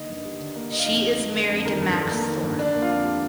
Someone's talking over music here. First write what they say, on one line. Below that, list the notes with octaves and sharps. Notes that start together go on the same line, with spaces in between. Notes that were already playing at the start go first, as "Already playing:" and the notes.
She is married to Max Thorne.
Already playing: D3 A#3 D#4 D#5
G2
G3
D3
A#3
D3 D#5
F5
F2 D#4 D#5
F2
A3
D3
F2
D#3 A#4
G2
A4
G2
A#3 A#4
D#3
G2
D3 D4 D5
A#3
F4 F5
F2
G3